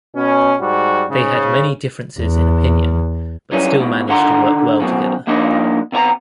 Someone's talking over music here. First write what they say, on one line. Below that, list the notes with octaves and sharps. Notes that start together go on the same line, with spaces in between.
They had many differences in opinion but still managed to work well together.
B2 C#4
G#2 G3 F#4
G#2 C#3
E2
F#2 E3 G3 C#4
G#2 B2
D3 D#3 F#5 A#5 C6
F#2 B2 C4
F3 A#3 D4 D#4 D#5
C3 B3 C#5 A#5